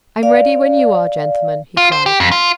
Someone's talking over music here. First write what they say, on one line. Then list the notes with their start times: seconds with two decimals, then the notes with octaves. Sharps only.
"I'm ready when you are, gentlemen," he cried.
0.23 D5 F5
1.77 F4
1.92 C5
2.06 G4
2.20 F2
2.32 F4